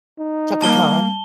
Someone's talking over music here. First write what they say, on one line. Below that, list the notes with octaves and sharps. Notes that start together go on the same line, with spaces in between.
Chaka Khan.
D#4
G3 A#3 A5 G7